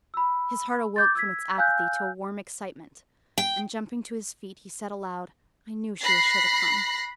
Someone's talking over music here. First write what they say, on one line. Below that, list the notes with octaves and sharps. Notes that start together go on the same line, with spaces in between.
His heart awoke from its apathy to a warm excitement, and, jumping to his feet, he said aloud, "I knew she was sure to come."
B5 E6
D6 G6 A6
E6 G#6 B6
F5 G#5 E6 F#6 G6
G5
B5 F#6 A#6 C7